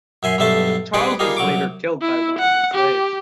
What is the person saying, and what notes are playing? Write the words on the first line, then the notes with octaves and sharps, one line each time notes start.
Charles was later killed by one of his slaves.
F#2 E5 G#5 C6
B1 G2 A3 E5 A5 C6
G3 D4 D#4 G#4 B4 D5
G3 A#3 D#4 F4 G#4
C2 F#3 C#6 D6
E4
F#5
G4